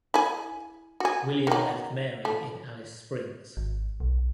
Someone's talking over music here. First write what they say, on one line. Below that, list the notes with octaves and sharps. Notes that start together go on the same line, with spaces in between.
William left Mary in Alice Springs.
E4 G#4
F#4 G#4
D#3 F#3
A3
G#1
B1